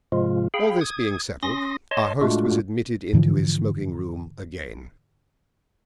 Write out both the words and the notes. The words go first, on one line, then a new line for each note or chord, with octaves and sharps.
All this being settled, our host was admitted into his smoking-room again.
G#2 C3 F3 G#3 F4
G#4 F5 G5 B5
D#6 G#6
C#4 C6 D#6 A#6
C#5 D#5 A5 C6
A2 G#3 A3 D4 F4 F#4
G#2 D3 E3 F3